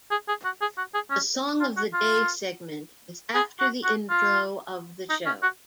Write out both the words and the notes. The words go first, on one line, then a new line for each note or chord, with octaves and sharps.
The "Song of the Day" segment is after the intro of the show.
G#4
G#4
F#4
G#4
F#4
G#4
C#4
F4
F#4
F4
G#4
F#4
F#4
F4
D#4
C#4
F#4